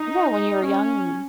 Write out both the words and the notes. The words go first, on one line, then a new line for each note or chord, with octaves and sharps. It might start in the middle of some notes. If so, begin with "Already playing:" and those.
Yeah, when you were young, and
Already playing: D#4
C#4